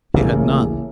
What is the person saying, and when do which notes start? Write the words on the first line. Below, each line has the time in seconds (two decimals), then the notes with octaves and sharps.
He had none.
0.14 A1 C#3 A#3